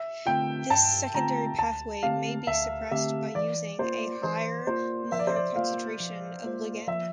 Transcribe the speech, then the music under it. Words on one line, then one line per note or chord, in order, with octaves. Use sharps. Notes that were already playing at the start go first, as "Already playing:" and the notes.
This secondary pathway may be suppressed by using a higher molar concentration of ligand.
Already playing: E5
D3 A3 C4 F4 G5
G2 A5
D3 A3 C4 F4 A#5
D2 A5
D3 A3 C4 G4 F5
D2 E5
D3 A3 C4 G4 E5
E3 D5
A#3 F4 C5
E3 C5
A#3 F4 C5
F3 E5
D5
C5
D5
A#3 F4 C5 F5
F3
A#3 F4 C5
F3 E5